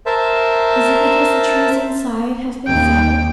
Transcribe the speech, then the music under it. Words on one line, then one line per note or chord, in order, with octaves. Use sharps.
Is it because the trees inside have been felled?
A#4 C5 E5 A5
D#2 G5